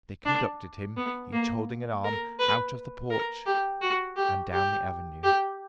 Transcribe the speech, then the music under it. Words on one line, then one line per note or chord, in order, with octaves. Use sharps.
They conducted him, each holding an arm, out of the porch and down the avenue.
D4
B3
A#3
A#4
B4
A#4
G4
F#4
G4
G4
G4